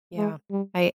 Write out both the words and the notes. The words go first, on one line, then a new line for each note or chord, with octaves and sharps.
Yeah, I
G#3
G3